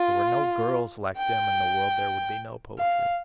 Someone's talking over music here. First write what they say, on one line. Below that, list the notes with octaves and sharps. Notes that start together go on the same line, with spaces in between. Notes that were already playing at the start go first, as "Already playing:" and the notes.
If there were no girls like them in the world, there would be no poetry.
Already playing: F4
G5
F5